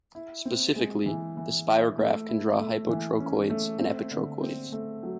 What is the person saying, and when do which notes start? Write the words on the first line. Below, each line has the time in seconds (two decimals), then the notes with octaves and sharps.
Specifically, the Spirograph can draw hypotrochoids and epitrochoids.
0.15 E4
0.45 C4
0.76 G#3
1.06 E3
1.37 E3
1.67 E4
1.98 A3
2.29 E4
2.59 A3
2.89 E3
3.20 C#4
3.50 A3
3.80 C4
4.11 D3
4.42 C4
4.72 A3
5.03 F#3